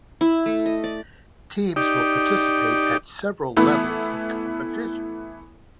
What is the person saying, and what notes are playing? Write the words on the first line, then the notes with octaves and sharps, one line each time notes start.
Teams will participate at several levels of competition.
E4
A3
D#5
D5
D#4 G4 D5
E3 A3 B3 E4